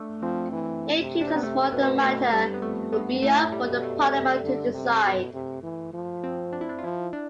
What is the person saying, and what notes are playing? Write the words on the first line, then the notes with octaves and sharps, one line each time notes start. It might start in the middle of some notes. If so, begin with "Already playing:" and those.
In case of smaller the matter would be up for the Parliament to decide.
Already playing: A3 D4
F3 C4
E3
C3
D4
C4
B3
C3 A3
C4
B2 B3
B2 A3
G2 G3
B3
F2 A3
G2 B3
A2 A3
G3
B2
A3
C3
D3
C3
B2
C3
E3
F3
C4
D4
E4
D4
F4
F3 E4
D4